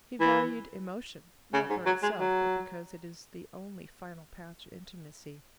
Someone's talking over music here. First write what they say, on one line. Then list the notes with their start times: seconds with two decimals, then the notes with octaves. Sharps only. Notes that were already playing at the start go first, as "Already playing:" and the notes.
He valued emotion--not for itself, but because it is the only final path to intimacy.
0.21 E3
1.53 C#3
1.70 G#2
1.86 F#3
2.03 G#3
2.19 F#3